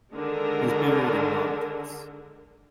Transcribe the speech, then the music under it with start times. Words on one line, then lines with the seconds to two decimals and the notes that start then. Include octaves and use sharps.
He is buried in Nantes.
0.12 D3 D#3 G#3 D4 A#4